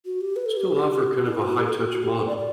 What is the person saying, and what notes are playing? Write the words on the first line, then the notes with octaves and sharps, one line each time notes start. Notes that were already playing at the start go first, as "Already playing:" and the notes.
still offer kind of a high touch model.
F#4
G4
B4
A4
G4
E4
F#4
G4
A4
G4
F#4
G4
A4
D5
D5